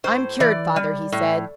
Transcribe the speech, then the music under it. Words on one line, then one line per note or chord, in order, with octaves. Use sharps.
"I'm cured, father," he said.
A2 C5
E3 D5
G3
A2